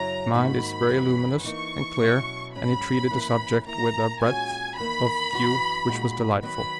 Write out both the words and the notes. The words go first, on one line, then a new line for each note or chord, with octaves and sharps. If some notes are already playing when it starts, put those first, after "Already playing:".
His mind is very luminous and clear and he treated the subject with a breadth of view which was delightful.
Already playing: F#2 C#3 F#3 C#4 E4 A#5
G#2 D#3 A#3 D#4 F#4 B5
F#2 E3 G#3 B3
E3 A#3 D#4 C#6
B2 F#3 C#4 E4
G#2 F#3 C#4 B5
F#2 E3 A#3 C#4 E4
D#3 A#3 E4 A#5
A#2 G#3 C#4 F#4 G#5
E2 D#3 A#3 B5
F#2 E3 B3 F#4
A#2 G#3 D#4 F#4
D#3 F#3 B3 B5